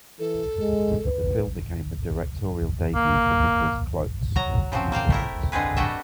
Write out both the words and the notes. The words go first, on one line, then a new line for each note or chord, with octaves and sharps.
The film became the directorial debut for Nicolas Klotz and Hugh Grant.
E3 A4
G#3
B4
A#3
F#3 A#5
C#3 F3 F#3 C4
A#3 C5 F5 G5
A3 E4 A#4
D3 G#3 C4 G#4 B4
G3 A3 D4 F#4 D#5 E5